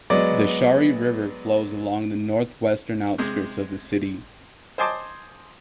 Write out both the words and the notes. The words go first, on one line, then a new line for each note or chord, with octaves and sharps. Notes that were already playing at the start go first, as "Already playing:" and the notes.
The Shari River flows along the northwestern outskirts of the city.
F#3 G#3 B3 D5 D#5
C3 G#3
C5 D#5 G#5 A5 C6 D6